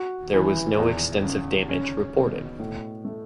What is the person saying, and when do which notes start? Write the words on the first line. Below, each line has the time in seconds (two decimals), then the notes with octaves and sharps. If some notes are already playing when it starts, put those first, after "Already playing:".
There was no extensive damage reported.
Already playing: F#4
0.34 E3
0.79 E2
1.24 C#3
1.69 C#4
2.15 B2
2.60 A2
3.05 A3